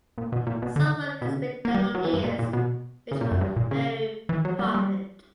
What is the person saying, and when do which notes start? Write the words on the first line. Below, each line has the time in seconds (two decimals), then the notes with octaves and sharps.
Some work has been done on ears which were very prominent.
0.18 A#2
0.32 B2
0.47 A#2
0.62 B2
0.76 D3
1.22 B2
1.28 C#3
1.35 D3
1.65 A#3
1.75 G3
1.95 F#3
2.05 E3
2.13 G2
2.24 A#2
2.39 A#2
2.53 B2
3.11 C#3
3.21 A#2
3.31 F#2
3.41 G2
3.56 A#2
3.71 C#3
4.29 E3
4.45 F#3
4.59 G3
4.67 A#3
4.75 G3